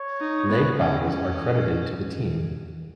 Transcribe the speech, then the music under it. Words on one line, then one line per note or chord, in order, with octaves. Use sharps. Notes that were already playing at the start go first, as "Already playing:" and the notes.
Leg byes are credited to the team.
Already playing: C#5
D#4
B3
C#4
C#4